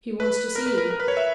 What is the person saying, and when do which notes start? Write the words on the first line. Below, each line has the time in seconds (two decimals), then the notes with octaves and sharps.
She wants to see you.
0.20 B4
0.56 A#4
0.67 B4
0.78 A#4
0.91 A#4
1.00 B4
1.08 C#5
1.17 E5